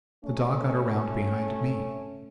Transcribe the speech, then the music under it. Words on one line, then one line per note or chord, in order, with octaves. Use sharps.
The dog got around behind me.
A3 C#4